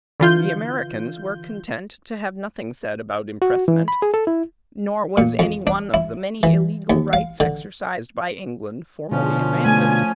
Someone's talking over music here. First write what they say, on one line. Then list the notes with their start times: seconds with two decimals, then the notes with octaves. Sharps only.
The Americans were content to have nothing said about impressment; nor was any one of the many illegal rights exercised by England formally abandoned.
0.20 D3 E3 F4 G6
3.42 F#4
3.68 E3
3.88 B5
4.02 G#4
4.14 A4
4.27 E4
5.17 A#2
5.39 F2
5.67 D4
5.94 E4
6.43 E3
6.90 D#2
7.13 F5
7.40 D3
9.11 B2 D3 F3 C#4 F4
9.66 A3 G#5